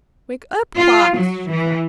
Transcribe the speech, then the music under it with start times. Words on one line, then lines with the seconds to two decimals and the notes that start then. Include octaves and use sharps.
"Wake up, Quox!" she cried.
0.77 F4
1.16 F#3
1.50 E3